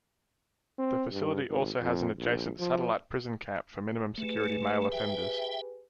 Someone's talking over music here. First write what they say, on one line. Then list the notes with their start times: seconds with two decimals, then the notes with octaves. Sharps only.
The facility also has an adjacent satellite prison camp for minimum-security male offenders.
0.79 C4
1.12 G2
1.49 G#1
1.82 F2
2.19 A#1
2.59 F3
4.18 A3 G4 G#4 B4
4.92 E5 G5